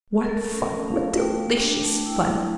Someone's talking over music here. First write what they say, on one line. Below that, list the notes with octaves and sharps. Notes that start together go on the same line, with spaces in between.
What fun--what delicious fun!
A#4
A3 A4
C#4
A#4
A3
F5
A3
A3 G5
A3
D4
A3
E4 G5
E4